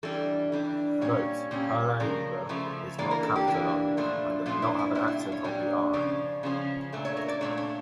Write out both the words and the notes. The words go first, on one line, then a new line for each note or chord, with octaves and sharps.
Note "paraiba" is not capitalized, and does not have an accent on the "i".
E3 G3 D4 A4
E3 G3 D4
A#2 G3 C#4 C#5
A#2 G3 C#4
C#3 F3 A3 A#4
C#3 F3 A3
E3 A#3 D4 D5
A#4
A4
G4
E3 A#3 D4
A#2 F3 A3 D4
A#2 F3 A3 D4 F4
E4
E4
A#2 G3 D4 E4
E4
D4
C#5
A#2 G3 D4
C#3 F3 C#4 D5
C#3 F3 C#4
A#2 A3 D4
C#5
A#4
D5
A#2 A3 D4 C#5
D4